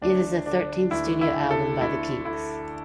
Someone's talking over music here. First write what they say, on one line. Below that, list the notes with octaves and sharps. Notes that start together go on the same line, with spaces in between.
It is the thirteenth studio album by The Kinks.
D2 D4
D3 D4
D2 E4
E4
D3
A4
D2 E4
D3 E4